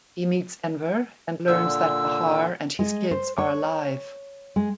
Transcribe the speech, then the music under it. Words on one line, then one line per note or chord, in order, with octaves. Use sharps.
He meets Enver and learns that Bahar and his kids are alive.
A#2 D3 E6
G#3
C5
C#5
G#3